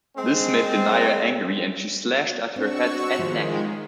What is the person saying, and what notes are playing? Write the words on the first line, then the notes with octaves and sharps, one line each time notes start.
This made Denyer angry, and she slashed at her head and neck.
G#3 C4
C4 D4 F#4 C#6 E6
D#2 A2 D#3 F3 G#3 F4